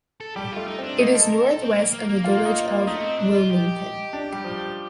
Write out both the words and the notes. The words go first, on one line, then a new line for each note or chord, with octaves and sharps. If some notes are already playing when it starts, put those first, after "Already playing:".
It is northwest of the village of Wilmington.
A4
G3 G4
A3 F4
D#4
C4
D4
A#3 D#4
A4
A#4
A4
C4
A#3
A#3
A#3
F4
D#4
F4
A3 D#4
C4
D4
F4
G4
D4
G3
F3